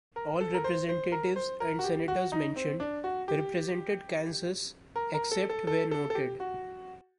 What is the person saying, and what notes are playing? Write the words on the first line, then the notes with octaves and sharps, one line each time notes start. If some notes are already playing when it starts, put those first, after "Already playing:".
All representatives and senators mentioned represented Kansas except where noted.
A#4
A4
A#4
C5
C5
A#4
C5
A#4
F#4
G4
F#4
D#4
C4
D4
F#4
G4
A#4
A#4
A4
A4
A4
A4
A4
G4
F#4